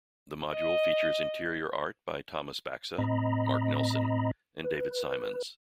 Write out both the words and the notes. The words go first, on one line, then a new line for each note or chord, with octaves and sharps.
The module features interior art by Thomas Baxa, Mark Nelson and David Simons.
D#5
A2 C4 D#5 A#5 B5
B4